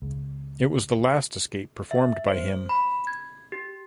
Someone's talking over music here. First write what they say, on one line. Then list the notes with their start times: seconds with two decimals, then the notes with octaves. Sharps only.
It was the last escape performed by him.
0.02 C#2
1.91 E5
2.28 C5
2.69 B5
3.07 G#6
3.52 G4